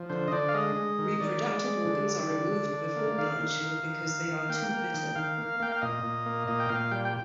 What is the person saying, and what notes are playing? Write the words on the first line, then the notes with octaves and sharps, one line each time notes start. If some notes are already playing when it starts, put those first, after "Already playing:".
Reproductive organs are removed before blanching because they are too bitter.
Already playing: F3
D3 C5
D#5
D3 D5
F5
G#3 D#5
G#3
D#3
D#3 D5
G#3
G#3
D3
G3
D3
D3
D3
A#3
D#3 F5
D#3
D#3
D#3
D#3
D#3
A#3 G5
A#3
D#3
D#3 F5
A#3
A#3 G5
F5
A#2 D#5
A#2
A#3
A#2 D#5
G5
A#2 F5
G3 G5
G5